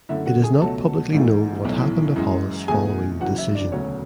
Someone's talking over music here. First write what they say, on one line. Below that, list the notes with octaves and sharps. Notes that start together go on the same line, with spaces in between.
It is not publicly known what happened of Hollis following the decision.
F#2 D3 A3 E4 E5
F#4 F#5
G#4 G#5
C#2 B2 F#3 A3 A4 A5
A1 G#2 E3 A3
B1 A2 E3
F#2 E3 G#3
E2 B2 A3 G#4 G#5
F#1 F#2 E3 F#4 F#5
E4 E5
D4 D5
E1 D2 C#3 F#3 A3 C#4 C#5